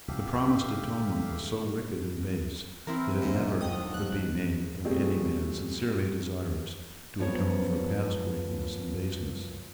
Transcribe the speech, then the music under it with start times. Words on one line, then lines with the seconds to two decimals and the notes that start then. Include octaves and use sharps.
The promised atonement was so wicked and base that it never could be made by any man sincerely desirous to atone for past wickedness and baseness.
0.08 C2 F3 G4 E5 F5
0.47 D3
2.87 E3 C4 E4 A#4
3.20 D#1 G#2 F#3 G#3 A#3 D4
3.61 D3 D#3 F3 G5 D#6
3.94 B1 F#6
4.85 B2 F3 G3 A3 C4 G#4
7.19 F#2 F3 B3 F4 C5 C#5